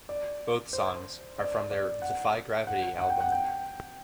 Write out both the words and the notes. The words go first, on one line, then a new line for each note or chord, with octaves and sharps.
Both songs are from their "Defy Gravity" album.
D5
C5
D5
D5
F#5
F#5
F#5
G5
F#5
G5